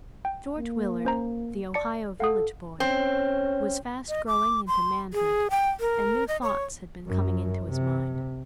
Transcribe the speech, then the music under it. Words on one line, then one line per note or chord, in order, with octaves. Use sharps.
George Willard, the Ohio village boy, was fast growing into manhood and new thoughts had been coming into his mind.
G5
A#3
C#4 C5 A#5
D5 A5 C#7
A4 F5 F#5 D#6
C4 C#4
D#5
D6
C6
G#4
G5
A#4
D#5
C#5
F#2
C3